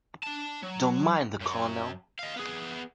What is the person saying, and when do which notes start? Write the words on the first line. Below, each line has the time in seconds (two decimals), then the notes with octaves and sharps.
Don't mind the Colonel.
0.23 D4 A5
0.63 F#3
1.41 F#2 F#3
2.19 D#5 F5
2.36 B3 G#4